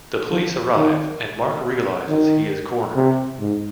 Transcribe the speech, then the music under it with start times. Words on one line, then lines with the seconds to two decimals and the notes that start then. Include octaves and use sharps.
The police arrive and Mark realises he is cornered.
0.31 F3
0.76 D#3
2.08 D#3
2.96 C3
3.40 G#2